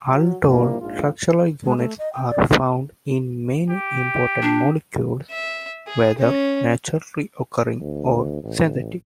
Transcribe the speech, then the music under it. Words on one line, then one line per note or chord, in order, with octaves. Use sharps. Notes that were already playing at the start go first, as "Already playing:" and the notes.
Aldol structural units are found in many important molecules, whether naturally occurring or synthetic.
F#3
G2 A#2 F3 G3 A#3 E4
A#1 G#2 F4
G#3
A3
D#5
G5
D5
G4
D4
E5
G#4
C#4
D2
A1